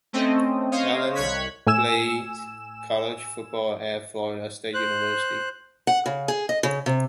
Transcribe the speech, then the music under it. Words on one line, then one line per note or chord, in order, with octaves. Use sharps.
Allen played college football at Florida State University.
A3 C4 C#4 A4 D#5
C5 C#5 D#5 F5
C2 C#5 F#6 G#6 B6
A2 G#5 E6 E7
C5 F#6
F#5
C#3
G#4
D#5
C#3
C3